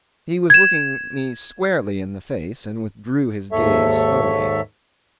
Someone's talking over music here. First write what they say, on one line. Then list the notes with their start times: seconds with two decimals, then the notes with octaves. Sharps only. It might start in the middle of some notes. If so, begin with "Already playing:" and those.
He was looking me squarely in the face, and withdrew his gaze slowly.
0.50 G#6 E7
3.52 D#2 G#2 A4 C#5 E5